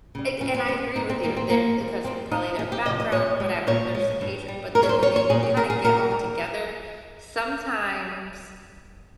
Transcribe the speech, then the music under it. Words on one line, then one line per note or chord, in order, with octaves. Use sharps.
and and I agree with you, they're 'cause probably their background, whatever, there's some hatred, but then when they kinda get all together, sometimes
C#3 G3
F2 C#4
C4
C#3 G3 C4
G2 D#4
C4
D#3 G3 A#3
C4
G2 A#3
D#3 G3
F2 C4
C3 F3 D#4
F2 G#4
G4
C3 F3 D#5
D#5
A#2 C#5
G#3
A#2 C#5
G#3
G2
G3
G2 A#4
C#5
C5
G3 C#5
C#5
A#2 G#4
G4
G3 A#4
G#4
A#2 A#4
G3